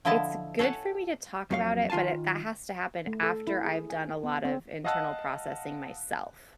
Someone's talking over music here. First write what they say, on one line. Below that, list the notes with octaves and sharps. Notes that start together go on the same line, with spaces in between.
it's good for me to talk about it, but it that has to happen after I've done a lot of internal processing myself.
D3 F3 E4 D#5 A5
A4 C#5 F#5 G#5 A5
F2 F#3 F5
D#3 F4 F5 G#5 A5
A3
A4
E4
G#4
G#5
B3
C4
D#5 F5 F#5 A5 E6 F#6